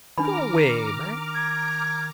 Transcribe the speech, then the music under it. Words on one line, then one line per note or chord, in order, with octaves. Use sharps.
Go 'way, man!
D#3 D4 D#4 A#5 B5 D6 F6
G#6